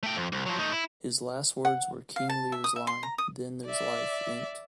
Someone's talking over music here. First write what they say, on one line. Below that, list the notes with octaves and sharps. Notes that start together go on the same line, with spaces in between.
His last words were King Lear's line: Then there's life in't.
A3 G5
F2
C2
F3 F#3
A3 D#4
E4
F#5
F5
A5
E5
D#6
E5
C6
A#5
D#6
D5 E5